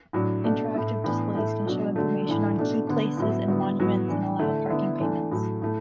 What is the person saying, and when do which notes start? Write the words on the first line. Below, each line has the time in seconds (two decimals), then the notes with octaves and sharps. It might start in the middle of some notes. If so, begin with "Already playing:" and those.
Interactive displays can show information on key places and monuments and allow parking payments.
0.13 A2 F#3 D4
0.44 B2 A3 D4
0.74 A2 A3 E4
1.04 A2 E3 B3 D4
1.35 A2 A3 E4
1.66 B2 F#3 D4
1.96 D3 F#3 A3
2.26 A2 E3 A3 D4
2.57 B2 A3 D4
2.87 D3 B3 D4
3.17 A2 F#3 B3 E4
3.48 D3 F#3 B3 E4
3.79 A2 F#3 B3
4.08 A2 E3 D4
4.39 D3 A3 E4
4.70 D3 B3 E4
5.01 E3 A3 D4
5.31 A2 F#3 A3
5.62 A2 A3